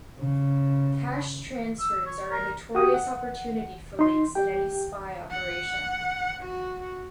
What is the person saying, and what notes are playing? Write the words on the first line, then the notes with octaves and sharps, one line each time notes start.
Cash transfers are a notorious opportunity for leaks in any spy operation.
C#3
E6
C#5
A#4
F#4 G4 G5 D#6
F#5
D#4 C6
G4 G5
F#5
F#4